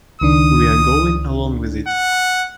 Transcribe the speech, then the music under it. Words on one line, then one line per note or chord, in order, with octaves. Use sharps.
We are going along with it.
C#2 D#3 D4 D#6
F#5